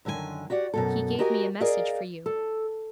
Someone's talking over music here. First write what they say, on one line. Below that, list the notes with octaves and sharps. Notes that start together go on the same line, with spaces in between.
He gave me a message for you.'
F#2 D3 D#3 G4 G#5
F#4 G4 D5 F#5
F#2 B2 A4
F#4 G4 A#4 D#5 G#5
G#4 A#4 D5 D#5 F5
A4